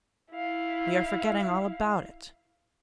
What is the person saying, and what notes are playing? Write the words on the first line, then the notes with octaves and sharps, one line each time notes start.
We are forgetting all about it.'
E4 F5